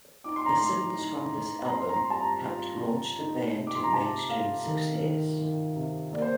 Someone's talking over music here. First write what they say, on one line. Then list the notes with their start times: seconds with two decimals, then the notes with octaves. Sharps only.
The singles from this album helped launch the band to mainstream success.
0.24 D#4 D6
0.36 C6
0.46 A#5
0.57 A2 C6
0.98 D#4
1.35 A2
1.64 A#5
1.72 C4 C6
1.89 A#5
1.96 C6
2.09 G3 A5
2.21 A#5
2.46 F4
2.82 F4
3.19 D#4
3.56 C3
3.67 D6
3.75 C6
3.83 A#5
3.92 C3 A5
4.29 A3 F5
4.66 D#3
5.03 D#3
5.39 D#3
5.76 C3
6.12 A#3 D5
6.22 C5